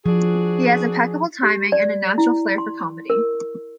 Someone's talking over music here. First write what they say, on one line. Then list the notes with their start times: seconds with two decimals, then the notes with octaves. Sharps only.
He has impeccable timing and a natural flair for comedy.
0.06 F3 D4 F#4 G#4
1.43 G4
1.72 D5
2.18 E4
2.58 C6
3.10 A#4